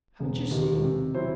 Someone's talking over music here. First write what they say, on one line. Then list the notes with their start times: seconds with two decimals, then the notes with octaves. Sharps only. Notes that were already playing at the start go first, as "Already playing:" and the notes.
'Haven't you seen?
0.20 E1
0.51 D#2 D#3
0.83 C3
1.14 F#3 C4 E4 C5